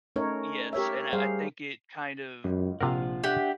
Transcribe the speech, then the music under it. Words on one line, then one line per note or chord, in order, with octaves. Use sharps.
yes, and I, uh, think it kind of,
A3 C#4 D#4 A#4 C#5
G4 A#4 C#5 E5
G3 G#4 C5 F5
C#2 F#2
A#1 C3 F4 A#4 C5 F#5
D4 G4 E5 F#5